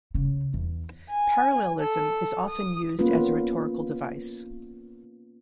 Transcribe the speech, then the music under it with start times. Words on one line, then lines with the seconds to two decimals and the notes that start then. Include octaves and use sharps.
Parallelism is often used as a rhetorical device.
0.14 C#3
0.54 E2
1.10 G#5
1.80 A4
2.50 D#6
2.99 A#3 B3 C#4 F4 B4